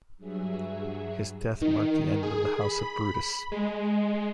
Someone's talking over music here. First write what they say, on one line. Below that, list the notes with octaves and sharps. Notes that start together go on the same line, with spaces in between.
His death marked the end of the house of Brutus.
G2 F#3 G#4 E5
D#3
G#4
B5
G#3